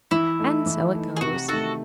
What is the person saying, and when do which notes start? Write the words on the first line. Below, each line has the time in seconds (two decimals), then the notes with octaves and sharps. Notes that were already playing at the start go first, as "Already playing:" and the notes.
And so it goes.
0.11 E3 E4
0.39 A3 D#4
0.66 E3
0.94 A3 D#4
1.17 G#4
1.21 C3 F#4
1.48 D#3 A3 F#4 A4